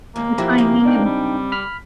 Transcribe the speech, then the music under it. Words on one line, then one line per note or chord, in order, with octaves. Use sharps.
the timing and
D#2 A#3
F#2 F3 E4 F#4 G4 E5
C#3 G#3 C4
D4 D#4 G5
G3
B5 F6 B6